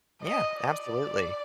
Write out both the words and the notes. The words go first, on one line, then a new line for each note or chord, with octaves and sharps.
Yeah, absolutely.
D#5
D5